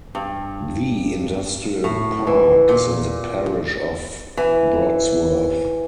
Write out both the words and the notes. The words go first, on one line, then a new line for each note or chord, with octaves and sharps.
The industrial park is in the parish of Brodsworth.
G2
A2
E3
A#2
E3